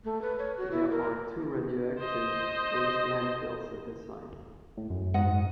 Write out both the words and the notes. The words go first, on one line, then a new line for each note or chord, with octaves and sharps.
There are two radioactive waste landfills at the site.
A3
B4
C#5
F#4
E4
A#4
C5 D#5
A2
F#2
G#2 D#5 F#5